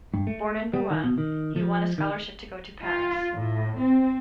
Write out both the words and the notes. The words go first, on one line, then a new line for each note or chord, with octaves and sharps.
Born in Rouen, he won a scholarship to go to Paris.
G2
A3
G3
D#3
B2
D#3
F3
D#3
F4
A2
C4